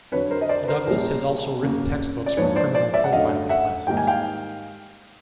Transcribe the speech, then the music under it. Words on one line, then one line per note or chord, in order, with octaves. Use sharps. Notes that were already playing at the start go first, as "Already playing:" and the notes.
Douglas has also written textbooks for criminal profiling classes.
F2 D3 F#3 B4 C#5
A#4 C5
D#5
C5 D5
B4
A#4 C5
A#1 A#2 G3 A#3 C#4
F2 C#3 F#3 A#3
D5
G#2 F3 A#3 D4 B4 C#5
C5 D5
C5 D5
D5 E5
F#5
F#2 D3 F#3 A3 D#5 F5
E5 F#5
G#2 D#3 G3 A#3 D#4 G5
G#5
F5 G5